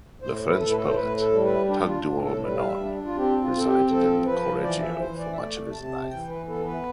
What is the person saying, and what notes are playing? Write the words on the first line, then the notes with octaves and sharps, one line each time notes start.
The French poet Tugdual Menon resided in Correggio for much of his life.
A2 C5
B4
A2 A4
B4
A4
C5
A2 B4
A4
G3
B4
D4 G4
F4
A2
A4
G3 B4
F5
E5
D4
F4
C4 G4
F4
C4 A4
G4
F3 A4
F3 B4
E3 D5
E5
E3 C5
D5
E5
A3 D5
C3 A5
E3 G5
B4
B3 A4
B4